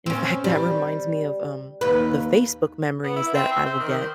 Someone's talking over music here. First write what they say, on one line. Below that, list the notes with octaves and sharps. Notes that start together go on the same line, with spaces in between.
in fact, that reminds me of, um, the Facebook memories that I will get
C4 C#4
G3
D#2 B4
B3
E4
C4
E5
C5
D#3
C5